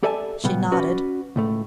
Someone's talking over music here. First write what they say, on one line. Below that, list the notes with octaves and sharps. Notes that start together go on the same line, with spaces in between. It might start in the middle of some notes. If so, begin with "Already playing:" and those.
She nodded.
G4 A4 D5 E5 G#5 A5
A#2 C#3 G3 B3
C#4 F#4 B4 D5
C#2 A2 A3